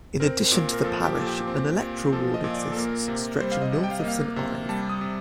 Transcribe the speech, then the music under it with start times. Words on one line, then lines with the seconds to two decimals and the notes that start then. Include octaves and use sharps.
In addition to the Parish an electoral ward exists stretching north of Saint Ive.
0.20 C4 A#4
0.52 A#2
0.73 A#4
0.84 F3 A4
1.05 G4
1.16 A#2
1.21 A4
1.27 G4
1.47 C4
1.80 A#2
2.12 F3 A4
2.34 D#5
2.44 A#2
2.54 D5
2.72 A4
2.76 A#3 A#4
3.08 C3
3.41 G3 C5
3.52 F5
3.62 D#5
3.72 C3
3.84 G5
3.91 F5
3.99 D#5
4.04 A#3 F5
4.36 C3
4.69 G3 A5
4.89 D#6
5.01 C3